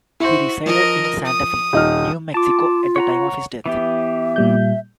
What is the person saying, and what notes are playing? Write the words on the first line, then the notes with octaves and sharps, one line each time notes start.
He resided in Santa Fe, New Mexico at the time of his death.
E4 F#4 C5
F3 A#4 D#5
D#6
D#1 D#4 F6
F4 A5 D6
C#5 F#5 A#5
E3 B3 G4 E5
A#2 G3 G6